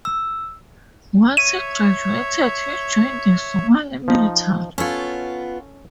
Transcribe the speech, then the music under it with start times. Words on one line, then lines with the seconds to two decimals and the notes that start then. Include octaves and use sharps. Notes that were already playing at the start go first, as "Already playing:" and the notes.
Once he graduated he joined the Somali military.
0.05 E6
1.37 C#5 E5 D#7
4.08 F3 D#4
4.78 B3 C#4 F4 A4 C#5